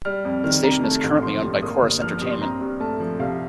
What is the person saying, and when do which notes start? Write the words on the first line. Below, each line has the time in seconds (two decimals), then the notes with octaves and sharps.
The station is currently owned by Corus Entertainment.
0.05 G3 F6
0.25 F2
0.44 D#3 F6
0.63 C3 A#5
0.84 A3 A5
1.04 A1
1.22 F3 C6
1.43 G2
1.62 A#3 D#6
1.82 G1
2.02 F3 F6
2.12 F6
2.21 G2 D#6
2.31 C6
2.41 C4 A#5
2.61 G2
2.80 A3 A5
3.00 F3
3.20 C2 F5